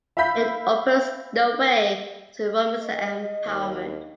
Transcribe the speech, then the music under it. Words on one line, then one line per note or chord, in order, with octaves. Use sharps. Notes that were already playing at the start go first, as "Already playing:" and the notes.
It opens the way to women's empowerment.
E5 F5 B5 G6 B6
D#5
D#2